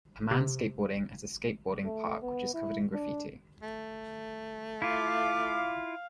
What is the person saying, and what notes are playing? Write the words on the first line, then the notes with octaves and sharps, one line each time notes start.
A man skateboarding at a skateboarding park which is covered in graffiti.
C3
A3
B3
E4
D4
A3
E4 F4 F5 D6